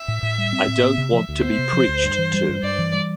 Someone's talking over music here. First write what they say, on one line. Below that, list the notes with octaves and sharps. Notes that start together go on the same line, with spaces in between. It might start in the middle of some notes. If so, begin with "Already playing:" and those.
I don't want to be preached to.
Already playing: E5
A2
A2
G3
C4
A2
B3
C3
F3
D2
B3 C5
C3
F3
D2
G2
E3
G3
G2
G2 D5
E3
G3